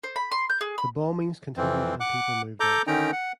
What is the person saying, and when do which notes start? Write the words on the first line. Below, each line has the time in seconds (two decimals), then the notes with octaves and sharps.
The bombings continued and people moved out.
0.03 C5
0.16 B5
0.31 C6
0.50 G6
0.61 G#4
0.78 B5
1.57 F2 E3 C4
2.00 F#5 D6 F#6
2.60 A4 A#5 D6 G6
2.87 D3 D#3 C#4 D#4 G5 A#5
3.12 F#5